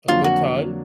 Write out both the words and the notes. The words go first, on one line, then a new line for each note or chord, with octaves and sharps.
a good time,
F2 D3 F#3 A#3 D4 F4
F#4